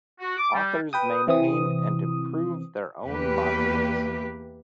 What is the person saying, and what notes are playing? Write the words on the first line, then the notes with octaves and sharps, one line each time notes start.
Authors maintain and improve their own modules.
F#4
D6
G3
B4 G5 D#6
C3 E3 C4 D#6
E2 A#3 G4 B4